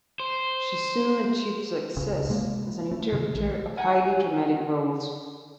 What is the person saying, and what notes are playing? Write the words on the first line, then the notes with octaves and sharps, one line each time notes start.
She soon achieved success as an interpreter of highly dramatic roles.
C5
D1 C2 C#3
C3 G#3 A#3
A3
C3 D#3 A3
A#1 F#3 G#3
D#4 F#5 G#5